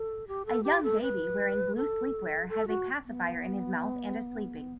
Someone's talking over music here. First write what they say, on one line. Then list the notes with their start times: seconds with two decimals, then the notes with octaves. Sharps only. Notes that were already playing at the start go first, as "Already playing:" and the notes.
A young baby wearing blue sleepwear has a pacifier in his mouth and is sleeping.
Already playing: A4
0.28 G4
0.46 A4
0.64 G4
0.83 A4
1.01 B4
1.76 A4
2.49 A4
2.68 F#4
3.05 B3